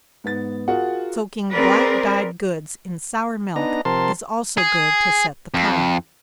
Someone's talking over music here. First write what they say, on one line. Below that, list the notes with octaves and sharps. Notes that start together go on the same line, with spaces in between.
Soaking black-dyed goods in sour milk, is also good to set the color.
G#2 B3 A6
F4 F#4 G#4 A#4 F#5
C4 G#4 A#4 B4 D5
B3 D4 D#4 A#5
C3 F3 A#4 A5 C6
G#4
F2